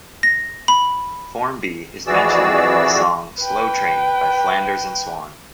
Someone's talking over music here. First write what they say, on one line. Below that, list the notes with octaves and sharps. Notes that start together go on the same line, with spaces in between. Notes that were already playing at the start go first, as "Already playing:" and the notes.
Formby is mentioned in the song "Slow Train" by Flanders and Swann.
A#6
B5
F2 E3 F#4 G#4 D5 E6
B4 G5